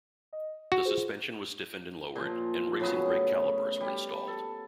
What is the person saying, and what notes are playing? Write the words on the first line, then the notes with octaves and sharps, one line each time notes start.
The suspension was stiffened and lowered, and racing brake calipers were installed.
D#5
F#4
F4 G#4 C5
A#2 F3
A2 C#3 F#3 B3
G3
A4